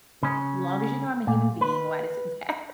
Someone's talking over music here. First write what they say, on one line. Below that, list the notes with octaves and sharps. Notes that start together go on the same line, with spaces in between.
"Long as you know I'm a human being, why does it matter?
C#3 C#4
A#2
B4